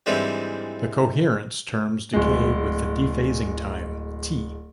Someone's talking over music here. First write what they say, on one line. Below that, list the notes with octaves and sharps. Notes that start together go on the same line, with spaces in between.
The coherence terms decay with the dephasing time, "T".
G#2 D3 E3 G3 G#3 C4
D1 G#3